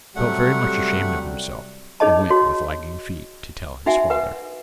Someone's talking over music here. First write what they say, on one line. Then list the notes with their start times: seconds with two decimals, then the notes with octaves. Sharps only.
He felt very much ashamed of himself, and went with lagging feet to tell his father!
0.16 C3 F#3 G3 A3 F#5
2.00 D#4 E4 G#4 C#5 D#5 A5
2.30 F#4 C#5
3.86 D#4 F#4 E5 F#5 G#5
4.10 B4 F#5